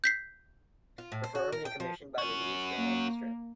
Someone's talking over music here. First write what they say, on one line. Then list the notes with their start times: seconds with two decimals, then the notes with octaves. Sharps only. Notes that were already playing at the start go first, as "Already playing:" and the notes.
Performed and commissioned by The Louisville Orchestra.
0.04 G6 B6 C7
0.98 F4
1.12 A2
1.24 C5
1.35 F#4
1.52 A#4
1.65 G5
1.80 F3
2.18 C#4 F#4
2.77 A#3